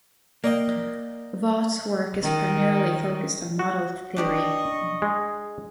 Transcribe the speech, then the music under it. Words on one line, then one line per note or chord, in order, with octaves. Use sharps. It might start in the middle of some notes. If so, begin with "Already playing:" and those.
Vaught's work is primarily focused on model theory.
A#3 D5 D#5 G5
D#3
F#4
D4 G4 D5 D#5 C#6
G#3